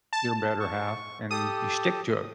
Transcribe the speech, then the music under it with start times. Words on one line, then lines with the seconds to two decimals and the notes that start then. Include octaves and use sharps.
your better half, and you stick to it.
0.13 A5
0.60 C#6
1.31 G4 A4 D#6